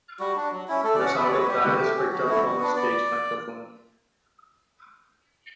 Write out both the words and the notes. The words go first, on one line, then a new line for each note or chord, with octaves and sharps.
The sound of that is picked up from a stage microphone.
G3 F#4
D4 F#4
F#3
C#4 E4
A3 A4
C#4 F#4 D5
F#5
B3 E5
D5
F#4 C#5
B4
G3 G4
B3 F#4
A3
C#4 F#4
F#3 F#4
A3 E4
G3
B3 D4
B3 D5